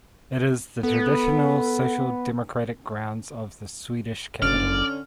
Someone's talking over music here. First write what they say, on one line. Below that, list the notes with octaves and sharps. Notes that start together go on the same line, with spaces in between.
It is the traditional Social Democratic grounds of the Swedish capital.
B3 A4
F#1 D3 C#4 D5 F6